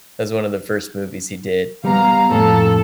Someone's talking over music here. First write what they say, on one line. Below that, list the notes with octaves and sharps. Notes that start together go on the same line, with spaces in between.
was one of the first movies he did
G3 B3 F5 A#5
F2 A2 A4